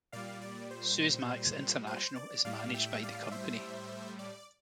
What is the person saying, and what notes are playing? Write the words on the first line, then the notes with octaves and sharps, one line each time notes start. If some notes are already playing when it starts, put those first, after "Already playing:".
Suezmax International is managed by the Company.
A#2 G3 D5 F5
D5
C5
C5
D5
A2 G3 D5 F5
E5 G5
D5 F5
C5 E5
D5